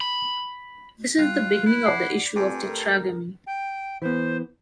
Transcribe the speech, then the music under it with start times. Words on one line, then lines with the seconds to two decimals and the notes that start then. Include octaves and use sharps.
This is the beginning of the issue of Tetragamy.
0.01 B5
1.18 G3 F4 F#6
1.66 E4
1.86 D5 F#5 B5 D6 C7
2.36 G2 A3 C4 F4 G4 G#5
2.63 A3 A#4
3.47 G5
4.02 E3 B3 C5